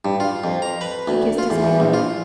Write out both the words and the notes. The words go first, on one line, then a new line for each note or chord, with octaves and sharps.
She kissed his hand.
G2
F4
F2
A#5
B4
D2
F4
E2
E2
A#1
F4